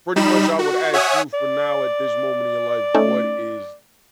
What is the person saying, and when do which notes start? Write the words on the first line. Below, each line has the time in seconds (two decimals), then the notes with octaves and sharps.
pretty much I would ask you for now at this moment in your life, what is
0.16 G3 D#4 B5 E7
0.59 F#4
0.93 C#5 E5 F#5 G#5 D#6
1.33 D5
2.95 A3 C#4 D#4